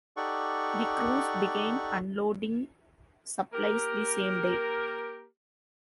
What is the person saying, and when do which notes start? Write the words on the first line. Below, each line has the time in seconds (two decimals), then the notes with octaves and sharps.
The crews began unloading supplies the same day.
0.17 D#4 G4 A4 D5 F#5 C#6
3.53 A#3 G4 A#4